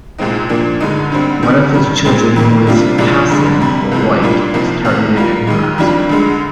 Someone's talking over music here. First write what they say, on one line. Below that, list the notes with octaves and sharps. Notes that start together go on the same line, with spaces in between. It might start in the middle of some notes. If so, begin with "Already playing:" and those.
One of his children, who is "passing" for white, is targeted and harassed.
C2 A#2 G#3 C4 D#4
A#2 F3 A#3 D4
G2 D3 G#3 D#4
D2 D3 G3 C4
D2 C3 D#3
G2 D#3 G3
A#2 G#3 C4 D#4
F2 D#3 A#3
C3 G3 D4 F4
C2 A#2 F3 G#3 D4
F2 D3 G#3 D4
F2 C3 G3
C2 C3 F3 G#3
A#2 G3 A#3 D4 F4
C2 C3 F3 A#3 D#4
C2 C3 D#3
G#2 G3 A#3 F4
D#2 D#3 G#3
F2 D#3 G3 D4 F4
D2 D3 G#3